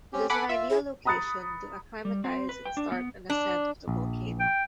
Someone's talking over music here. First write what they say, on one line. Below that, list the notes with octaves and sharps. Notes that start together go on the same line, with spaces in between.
It is an ideal location to acclimatize and start an ascent of the volcano.
C4 C#4 G4
A4 F#5 G#5 B5 D6
F4 E5
E4 G#4
A#5 B5 D#6 F#6 A6 C#7
G3
C4
B4
G5
D4
B3
D4
A#1
G5